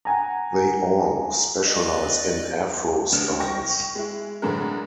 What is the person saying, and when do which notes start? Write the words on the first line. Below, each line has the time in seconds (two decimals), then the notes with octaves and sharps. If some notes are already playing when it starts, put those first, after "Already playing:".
They all specialise in afro-styles.
0.05 F#5 G#5 A#5
1.66 B4 D5 D#5
3.12 A1 D3 B3 F6 E7
3.39 G5 C#6 A#6
3.95 G#3 E4
4.42 A2 D3 E3 F#3 G#3 A#4